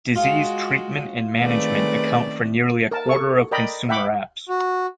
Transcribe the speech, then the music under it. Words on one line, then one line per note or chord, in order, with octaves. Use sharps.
Disease treatment and management account for nearly a quarter of consumer apps.
G#3 F4 F#4
D#3 A3 C4 C#4 G#4 B4 D5
A#4 A5
A4 C#6
A#4 D5 D#5 G5 A#5 B5
E5 F#5 G5 B5 D6
F#4